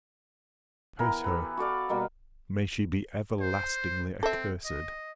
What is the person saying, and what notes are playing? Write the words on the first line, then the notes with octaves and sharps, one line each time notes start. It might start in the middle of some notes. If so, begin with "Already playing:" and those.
"Curse her, may she be everlastingly accursed."
E3 B3 A#4
G4 A4 B4
F#4 A4 D5 F5
B2 G3 A#3 D#5
C5
C4 A4 E5
D#5